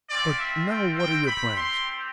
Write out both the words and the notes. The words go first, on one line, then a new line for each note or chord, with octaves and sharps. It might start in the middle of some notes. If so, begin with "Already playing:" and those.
But now what are your plans?
G3 C4 F4 D5
E5
G5
G5
G3 C4 G4 B5
C6